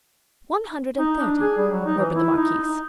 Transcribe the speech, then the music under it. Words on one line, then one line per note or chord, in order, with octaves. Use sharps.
"One hundred and thirty," murmured the marquise.
D#4
D4
G#4
G3
F#3
D#4
E3
E4
D#4
D#4